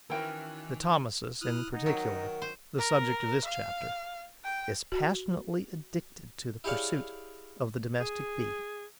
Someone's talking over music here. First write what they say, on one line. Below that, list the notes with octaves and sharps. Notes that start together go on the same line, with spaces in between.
The Thomisus, in particular, the subject of this chapter, is passionately addicted to the pursuit of the Domestic Bee.
D#3 E3 C#4 E4 F#4 A#4 G5
E4 D#6 F6 F#6
D#4 F#5
D#3 F#3
C5
A#4
F5
G5
F#4
E4 G4 G#4 C#5 D5 F5
G#4